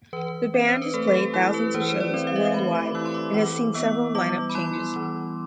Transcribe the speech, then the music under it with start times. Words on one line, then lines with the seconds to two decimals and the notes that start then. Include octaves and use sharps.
The band has played thousands of shows worldwide and has seen several lineup changes.
0.13 E3 B4
0.54 C4
0.68 C5
0.82 B4
0.94 A3 A4
1.07 A4
1.14 G4
1.34 E4 A4
1.54 B4
1.74 E3 C5
1.89 C5
2.00 D5
2.14 C4
2.27 F5
2.36 E5
2.45 F5
2.54 A3 B5
2.75 D6
2.95 E4 E6
3.06 C6
3.14 D6
3.34 E3 D6
3.74 B3 E6
4.15 G3 D6
4.50 B5
4.55 E4 C6
4.96 E3